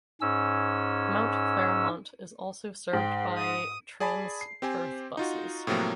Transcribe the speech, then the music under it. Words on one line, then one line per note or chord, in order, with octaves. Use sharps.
Mount Claremont is also served by Transperth buses.
G#2 C#4 E6
G#2 G5
D#6
G#4 D5 G#5 A5 B5
C7
C4 G4 C5 G#5
D#4 F4 F#4
A2 C3 F3 F#3 A#3